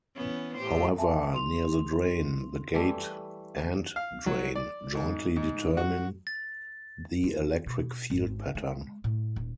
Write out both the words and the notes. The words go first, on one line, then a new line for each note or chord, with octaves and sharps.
However, near the drain, the gate "and drain" jointly determine the electric field pattern.
E3 B3 C#4
A2 G4 C5
E5 G#5 A5
C6 F7
E3 G3 A3
F5
F#3
D5
G#2
G#2
F#4
A6
F4
B2
G#1
G#3
A2
D#1